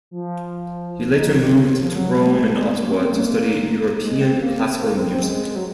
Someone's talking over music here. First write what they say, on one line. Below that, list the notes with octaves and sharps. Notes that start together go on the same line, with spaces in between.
He later moved to Rome and Ottawa to study European classical music.
F3
D#4
F#3
D#3
C3
C#3
C3
F3
F#3
G#3
A#3
G#3
A#3
G#3
A#3
C#4
C4
G#3
A#3
G#3
C4
A#3
C4
C4
A#3
C4
C4
G#3
F#3